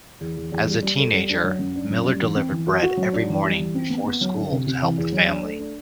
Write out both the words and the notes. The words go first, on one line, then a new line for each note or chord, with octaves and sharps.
As a teenager, Miller delivered bread every morning before school to help the family.
E2
E2
E2
G3
G3
A4
G3
D4
F#3
F#2
D4
F#2
G3
E3
C4
E3
F#4
F#4
F#3
D4
E3
G3
E3
C4
B3
B3
F#3
D3
C3
C3
E3
E2
F#3
D4
A3
D4